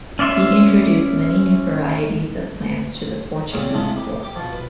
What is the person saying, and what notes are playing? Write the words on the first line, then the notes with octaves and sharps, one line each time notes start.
He introduced many new varieties of plants to the Portuguese Court.
C#4 D5 E5 C6
A#2 C#3 G3 C4
A2 C3 F3 G#3
G4
G4 D6
B2 F3
B4